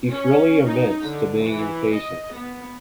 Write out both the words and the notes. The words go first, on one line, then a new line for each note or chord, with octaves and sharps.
He freely admits to being impatient.
C#4
D#4
D3
E3
D#5
B3